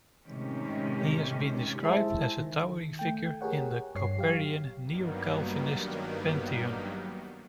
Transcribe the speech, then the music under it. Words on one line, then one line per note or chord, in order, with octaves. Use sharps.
He has been described as a "towering figure" in the Kuyperian Neo-Calvinist pantheon.
A2 C3 D#3 G#3 C#4 G4
G#3 E4 G#4 C5 E5 A5
D#3
A3 G5
G4 G#4 A#4 C#5 F#5
G2 C#5 C7
F#3 G4 F5
G2 D#3 F#3 G3 A#3 B3